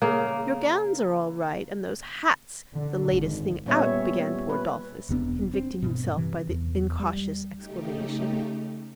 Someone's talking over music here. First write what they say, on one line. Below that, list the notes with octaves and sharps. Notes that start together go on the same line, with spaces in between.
Your gowns are all right, and those hats the latest thing out,' began poor 'Dolphus, convicting himself by the incautious exclamation.
C#3 A#3
D3
G#1
A#2 G3 B3 C#4 C#5 E5
B4
E1 C3 B3 D4
C4
G2 B2
C3 E3
E2
G3
C#3 A3 D#4 G4